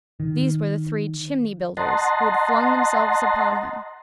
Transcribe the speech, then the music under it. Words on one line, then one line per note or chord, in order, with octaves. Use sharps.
These were the three "chimney-builders," who had flung themselves upon him.
D#3
D#5 F#5 A5 A#5 C6